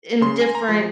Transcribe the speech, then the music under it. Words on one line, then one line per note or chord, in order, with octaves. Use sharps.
in different
C#3 C6
G#5
A#5
F3 G#3 C6